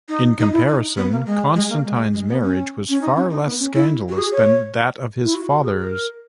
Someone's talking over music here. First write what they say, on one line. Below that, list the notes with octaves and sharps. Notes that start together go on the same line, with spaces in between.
In comparison, Constantine's marriage was far less scandalous than that of his father's.
D#4
D#4
E4
D#4
B3
A#3
G#3
G#3
A#3
G#3
G#3
B3
C#4
C#4
D#4
C#4
D#4
B3
C#4
E4
F#4
G#4
C#5
E4
F#4
F#4
G#4
A#4